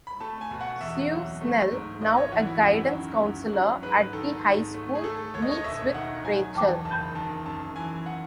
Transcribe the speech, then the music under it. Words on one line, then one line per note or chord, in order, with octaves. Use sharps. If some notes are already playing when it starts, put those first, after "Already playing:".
Sue Snell, now a guidance counselor at the high school, meets with Rachel.
B5
A3 A5
G#5
B2
F#5
E2 E5
F#3
A3
G#2
G#1 D#5
C#5
E3 F#4
E4
F#2 F#4
E4
F#4
D#3
F#2
F#3
G#2 B4
D#3 A4
G#2
A3
G#4
A3 A4
D#2 C#5
D#5
C#5
D#5
E1 E5
D#3 F#5
F#3 G#5
E2 A5
F#1 A5
D#3 A5
F#2 A5
E3 G#5
F#5